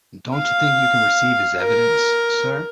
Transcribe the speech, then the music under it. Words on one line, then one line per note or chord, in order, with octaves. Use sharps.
Don't you think you can receive his evidence, sir?
F5
A#4